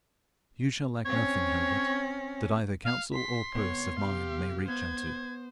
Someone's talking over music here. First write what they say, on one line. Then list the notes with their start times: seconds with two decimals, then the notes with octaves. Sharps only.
'You shall lack nothing, Herbert, that either counsel or purse of mine may reach unto.'
1.06 C4 C#4 C#5
2.84 F5
3.14 C6 B6
3.55 C2 B3 C#5
3.99 G4 F5
4.68 B3 C5 G#6